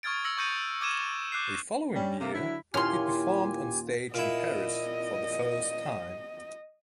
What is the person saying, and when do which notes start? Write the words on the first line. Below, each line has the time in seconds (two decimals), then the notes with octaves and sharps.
The following year, he performed on stage in Paris for the first time.
0.03 C#6 D#6 F6 G#6 A6 D7
0.24 E6 A#6 C#7 F#7
0.37 C#6 D#6 G6 A#6 C#7 D#7
0.81 D6 F6 G#6 D#7 E7
1.32 D6 F#6 G6 C7
1.94 G3 C#4
2.20 C3 A3 A#3
2.33 D3 F#3 E4
2.74 D#2 A#2 C#4 E4 G4 G#5 C6 F6
4.14 A#2 E4 D#5